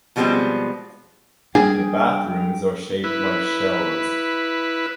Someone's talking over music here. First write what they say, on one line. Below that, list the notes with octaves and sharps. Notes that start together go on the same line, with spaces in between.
The bathrooms are shaped like shells.
B2 F3 G3 G#3 B3 C4
G3 A#3 D4 G#4 G5
E4 B4